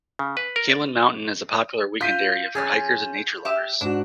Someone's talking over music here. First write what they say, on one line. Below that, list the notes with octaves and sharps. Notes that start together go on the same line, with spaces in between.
Kalin Mountain is a popular weekend area for hikers and nature lovers.
C#3
B4
A#4
D5
F4 G6 B6 D#7
F2 C#4 G#4 G#6 A6
G4 E5
G#2 D4 F#4